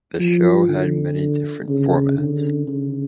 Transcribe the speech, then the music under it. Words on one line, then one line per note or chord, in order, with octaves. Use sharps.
The show had many different formats.
F3
D3
C#3
D3
C#3